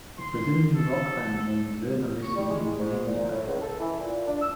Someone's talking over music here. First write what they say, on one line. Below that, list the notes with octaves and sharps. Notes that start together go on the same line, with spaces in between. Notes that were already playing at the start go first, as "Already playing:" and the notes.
A Brazilian rock band named "Virna Lisi" is named after her.
C6
A4
C#6
G3
G#3
G#2
A#2
A2
C#2
A4
E3
A#2
D4
E6